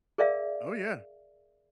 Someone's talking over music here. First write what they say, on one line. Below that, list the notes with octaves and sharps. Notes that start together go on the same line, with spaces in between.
Oh, yeah.
G#4 A#4 D5 E5 F5